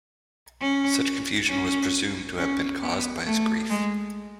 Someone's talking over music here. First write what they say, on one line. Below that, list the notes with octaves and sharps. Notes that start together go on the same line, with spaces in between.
Such confusion was presumed to have been caused by his grief.
C#4
C#4
C#4
B3
A3
G#3